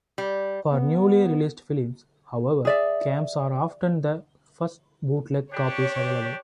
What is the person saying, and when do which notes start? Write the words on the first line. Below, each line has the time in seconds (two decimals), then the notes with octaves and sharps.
For newly released films, however, cams are often the first bootleg copies available.
0.18 G3
0.71 B3
2.65 G#4 D5 E5
5.53 D4 G4 C#5